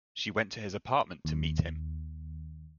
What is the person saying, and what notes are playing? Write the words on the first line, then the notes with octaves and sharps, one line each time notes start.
She went to his apartment to meet him.
D#2